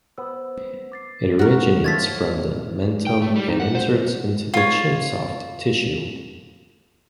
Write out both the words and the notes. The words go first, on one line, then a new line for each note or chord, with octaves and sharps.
It originates from the mentum and inserts into the chin soft tissue.
B3 B4 C5 E6
D6 A6 C7
C#4 E4 F#4 A#4
F3 A3 C#5 E5 F6 G#6 A6 B6
G5
A3
G3
D#4
F#5
C5
F4 C#5